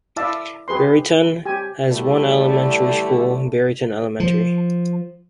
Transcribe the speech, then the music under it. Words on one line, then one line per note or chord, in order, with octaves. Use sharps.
Barryton has one elementary school, Barryton Elementary.
E4 D5 E5 F5 A5
G4 G#4 B4 C6
G4 G#5
D3 E3 G3 A3
F3